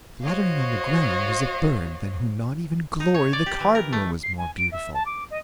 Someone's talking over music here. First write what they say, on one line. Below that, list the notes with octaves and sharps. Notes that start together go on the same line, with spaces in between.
Fluttering on the ground was a bird than whom not even Glory the Cardinal was more beautiful.
F#4 C5 C#5 D#5 F5
D#4
C#5
D5
G4
E3
A#4
A3
C7
G#5
D7
E5
A5
D6
D#5